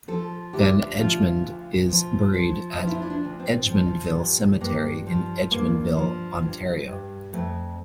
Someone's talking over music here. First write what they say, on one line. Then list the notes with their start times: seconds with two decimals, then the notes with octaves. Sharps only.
Van Edgmond is buried at Egmondville Cemetery in Egmondville, Ontario.
0.08 F3 A4
0.53 D2 G4
0.99 F3 F4
1.44 D2
1.89 F3
2.34 F3
2.79 F3 F4
2.87 E4
2.95 D4
3.02 E4
3.10 D4
3.25 D2
3.40 C4
3.69 F3
4.15 G2
4.61 G2 A#3
5.07 F3
5.51 G2 A#3
5.97 F3
6.43 G2
6.87 G2
7.33 F2 A3